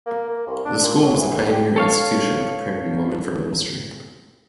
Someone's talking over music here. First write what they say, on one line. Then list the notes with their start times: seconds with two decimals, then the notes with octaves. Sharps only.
The school was a pioneer institution in preparing women for ministry.
0.06 A#3
0.29 A#3
0.47 C2
0.65 D4
0.83 A#2
1.02 F#3
1.15 E2
1.35 D3
1.51 G4
1.76 A4 C#5 F5